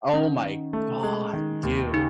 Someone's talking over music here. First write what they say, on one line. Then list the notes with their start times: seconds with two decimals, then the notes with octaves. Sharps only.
oh, my god, dude.
0.13 D#3 C#4
0.43 D#3
0.73 A3
1.03 G#3
1.33 D#3
1.63 D#2
1.93 C#3 D#4